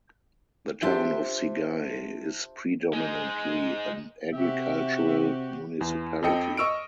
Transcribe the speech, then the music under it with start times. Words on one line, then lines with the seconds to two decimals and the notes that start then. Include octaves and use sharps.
The town of Sigay is predominantly an agricultural municipality.
0.82 D4 F4 G4 C5 E5
2.93 G#3 D#4
4.34 C3 F#4 G4 E5
5.81 E2
6.23 F2 A4 D#5 G5 C#7
6.57 D#5 C#6 E6 F6 D7